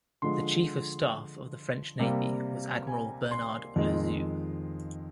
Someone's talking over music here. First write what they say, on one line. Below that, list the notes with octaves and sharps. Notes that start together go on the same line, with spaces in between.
The Chief of Staff of the French Navy was Admiral Bernard Louzeau.
D3 F3 G#3 C6
C3 G3 A#3
G#5
C6
F2 D#3 G#3